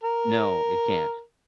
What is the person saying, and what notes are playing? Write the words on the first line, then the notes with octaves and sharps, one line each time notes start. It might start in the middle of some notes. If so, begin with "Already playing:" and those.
No, it can't.
A#4